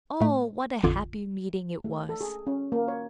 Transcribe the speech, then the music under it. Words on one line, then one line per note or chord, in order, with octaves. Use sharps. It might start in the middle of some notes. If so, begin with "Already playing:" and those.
Oh, what a happy meeting it was!
A2 A3
A1 F2 D3 F4 D6 G#6
A3
A4
G#4
C#4
A#3
C#5